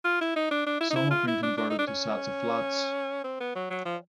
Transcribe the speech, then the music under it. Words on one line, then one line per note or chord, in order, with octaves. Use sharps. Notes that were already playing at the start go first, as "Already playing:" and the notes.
Some have been converted to sets of flats.
F4
E4
D#4
D4
D4
E4
D#4
E4
F4
E4
D4
D4
D#4
D4
C#4
C4
B3
F#3
F#3
F3